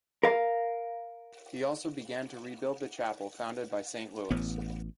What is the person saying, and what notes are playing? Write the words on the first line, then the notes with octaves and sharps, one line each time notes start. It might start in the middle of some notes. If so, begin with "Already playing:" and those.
He also began to rebuild the chapel founded by Saint Louis.
A#4 F5
A1 B3